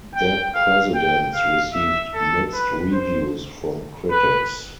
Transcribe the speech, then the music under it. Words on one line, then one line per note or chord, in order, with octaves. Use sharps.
"Dead Presidents" received mixed reviews from critics.
G5
F5
G5
F5
E5
A4
B4
C5
B4